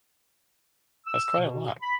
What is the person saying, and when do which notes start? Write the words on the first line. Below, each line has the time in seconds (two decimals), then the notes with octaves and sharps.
That's quite a lot.
1.07 E6
1.39 B2
1.83 B5